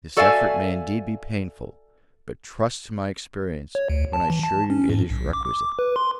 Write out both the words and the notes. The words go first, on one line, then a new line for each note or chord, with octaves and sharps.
This effort may indeed be painful; but trust to my experience, when I assure you it is requisite.
F#4 A4 D5 E5 F5 G#5
C#5
D2
A5
E3
A5
C#4
G#2
B1
D6
D6
B4
C6